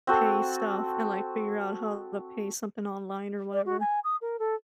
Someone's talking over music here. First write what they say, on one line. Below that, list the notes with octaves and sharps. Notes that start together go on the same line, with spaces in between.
pay stuff and, like, figure out how to pay something online or whatever.
C4 F#4 A4
D5
F#4
G#5
D#6
A#4
A4